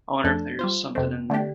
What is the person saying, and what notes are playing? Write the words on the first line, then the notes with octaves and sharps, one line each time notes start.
I wonder if there's something in there.
F2 F3 A3 D4 A4
G3 F4 C5
F2 C3 A3 C4
D3 A3 D4 G4